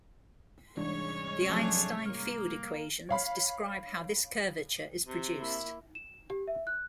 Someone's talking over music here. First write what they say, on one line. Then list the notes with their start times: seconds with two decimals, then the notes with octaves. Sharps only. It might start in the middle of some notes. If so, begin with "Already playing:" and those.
The Einstein field equations describe how this curvature is produced.
0.77 C2 G#2 E3 G#3 C#4 D4 C#5
1.49 F3 F#3 A3 C4 D4 G#4
2.06 A#3 F6
3.09 C#5 F5 B5
5.07 C3
5.39 A#3 E4
5.95 E7
6.30 G4
6.48 E5
6.67 F#6